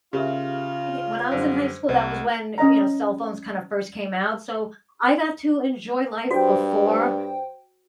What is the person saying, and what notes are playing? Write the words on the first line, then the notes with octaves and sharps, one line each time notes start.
y when I was in high school that was when, you know, cell phones kind of first came out, so, I got to enjoy life before
C#3 F4 G4 A#4 E5
F#2 D3 G3 C5
C2 D#5
C#4 D#5 A#5
G2 F#4 C5 G5